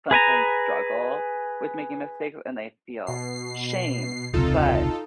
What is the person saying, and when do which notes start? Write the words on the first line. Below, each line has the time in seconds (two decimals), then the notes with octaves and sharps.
sometimes struggle with making mistakes, and they feel shame, but
0.11 G#4 B4 G#5 A#5
3.07 B2 C7
4.33 E1 C#2 C3 D#4 F4 A4